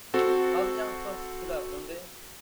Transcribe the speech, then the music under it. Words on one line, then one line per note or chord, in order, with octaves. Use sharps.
How the young folk shoot up, don't they?
C4 F#4 A4